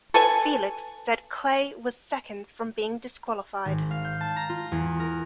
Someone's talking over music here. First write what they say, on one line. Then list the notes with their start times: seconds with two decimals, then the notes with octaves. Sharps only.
Felix said Clay was seconds from being disqualified.
0.14 A4 B4 G#5
3.65 G#1
3.91 F5
4.05 G6
4.21 A5
4.36 A#5
4.49 F4
4.72 E2
5.00 A#4